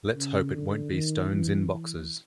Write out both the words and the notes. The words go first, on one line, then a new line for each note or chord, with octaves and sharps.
Let's hope it won't be stones in boxes.
C#3
D3
D#3
E3
E3